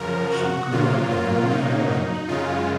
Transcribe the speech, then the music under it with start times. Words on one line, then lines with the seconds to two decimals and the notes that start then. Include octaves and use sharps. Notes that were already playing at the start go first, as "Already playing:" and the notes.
She grew up in Northern Ireland.
Already playing: F#2 C#3 F3 A#4
0.33 F#4
0.71 A#2 F#3 A#3 F4
1.11 F4
1.50 D#4
2.28 F#2 C#3 G#3 F4